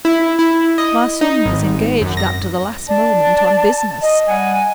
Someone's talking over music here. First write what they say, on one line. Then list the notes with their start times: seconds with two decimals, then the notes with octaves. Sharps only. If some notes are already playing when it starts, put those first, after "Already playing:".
'My son was engaged up to the last moment on business.
0.05 E4
0.39 E4
0.78 D#5
1.21 D#4
1.46 G#1
2.01 F#2
2.17 A#6
2.88 D5 A5
4.02 D#5
4.27 G3 F#5 G#5